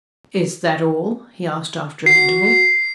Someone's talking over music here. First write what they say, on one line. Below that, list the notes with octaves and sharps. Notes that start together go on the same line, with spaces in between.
"Is that all?" he asked after an interval.
F#4 C7